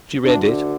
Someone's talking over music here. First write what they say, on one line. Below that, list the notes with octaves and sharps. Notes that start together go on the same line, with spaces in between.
She read it.
D2 D3 D4